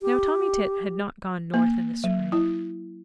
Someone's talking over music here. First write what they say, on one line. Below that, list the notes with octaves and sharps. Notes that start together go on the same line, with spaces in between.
Now Tommy Tit had not gone north in the spring.
G4
A#3
F#3
E4